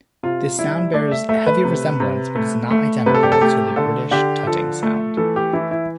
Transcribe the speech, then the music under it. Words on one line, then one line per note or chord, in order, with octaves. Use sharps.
This sound bears heavy resemblance, but is not identical, to the British tutting sound.
C3 F4
G3 E4
A3 D5
E5
A3 E5
B4
C3
C3
A3
A3
C3 B4
A4
G4
A4
A3 G4
D3 A4
D3 G4
F3 A4
A3
E3 A4
G4
E3 E4
E4